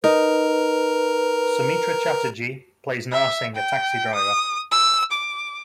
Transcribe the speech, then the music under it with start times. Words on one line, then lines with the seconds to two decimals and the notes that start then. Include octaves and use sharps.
Soumitra Chatterjee plays Narsingh, a taxi driver.
0.04 D#4 A#4 B4
3.12 E5
3.56 G5
4.15 D#6
4.72 E6
5.12 D6